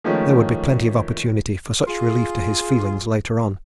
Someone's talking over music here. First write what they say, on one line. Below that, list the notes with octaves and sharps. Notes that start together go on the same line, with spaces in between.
There would be plenty of opportunity for such relief to his feelings later on.
D#3 F3 G#3 A3 C#4
F4 G#4